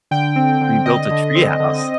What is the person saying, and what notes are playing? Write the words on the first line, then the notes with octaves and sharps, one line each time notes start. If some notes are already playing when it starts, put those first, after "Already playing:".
We built a tree house.
D3 G5
C4
D3
D3 D#5
D3
C4
D3